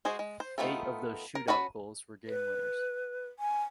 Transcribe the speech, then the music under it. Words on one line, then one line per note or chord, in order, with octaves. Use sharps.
Eight of those shootout goals were game-winners.
G#3 F#4 G#4 C5
G#3
C5
D#3 A3 B3 F4 A4
A#4
C#4 F#4 B4 A5 B5
B4
G#5